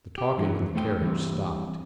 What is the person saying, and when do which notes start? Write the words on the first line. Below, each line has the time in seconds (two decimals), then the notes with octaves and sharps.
The talking in the carriage stopped.
0.18 G4
0.38 G2 E3 F#3
0.75 A3 C5 G5
1.02 E3 G3 C4